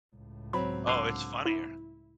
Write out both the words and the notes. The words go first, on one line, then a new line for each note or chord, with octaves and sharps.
Oh, it's funnier.
C#2 A2
F#3 C4 B5
D3 F5
E4